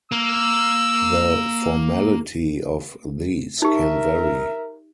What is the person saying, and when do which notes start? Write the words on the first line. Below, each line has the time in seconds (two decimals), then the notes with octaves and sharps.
The formality of these can vary.
0.12 A#3 E6
3.62 D#4 G4 A#4 E5